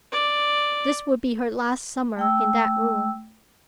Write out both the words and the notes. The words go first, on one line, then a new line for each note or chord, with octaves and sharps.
This would be her last summer in that room.
D5
A3 G5 E6